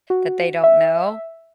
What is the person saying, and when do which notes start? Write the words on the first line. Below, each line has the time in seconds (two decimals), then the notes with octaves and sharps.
that they don't know,
0.10 F#4
0.63 E5